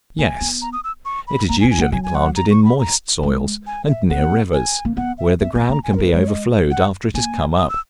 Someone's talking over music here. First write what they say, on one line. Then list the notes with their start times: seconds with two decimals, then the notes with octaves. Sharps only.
Yes, it is usually planted in moist soils, and near rivers, where the ground can be overflowed after it is come up.
0.19 A#3 G#5
0.41 B3
0.62 A#5
0.73 D#6
0.84 E6
1.05 C#6
1.27 B5
1.49 A#3 A#5
1.60 G#5
1.64 B3
1.71 G#5
1.78 A#3
1.81 F#5
1.92 F#3 G#5
2.04 G#5
2.15 F#5
2.36 A#5
2.51 C#6
2.65 B5
2.79 A#5
3.23 G#3
3.67 G#5
3.88 E5
4.09 B3 F#5
4.53 G#5
4.85 A#3
4.97 B3 F#5
5.18 E5
5.41 B3 E5
5.55 B3 G#5
5.69 A#3 A#5
5.84 G#5
5.94 A#4
5.98 A#3
6.06 B4
6.13 G#3 C#5
6.28 D#5
6.71 F#5
7.14 A#3 G#5
7.58 D#6
7.69 E6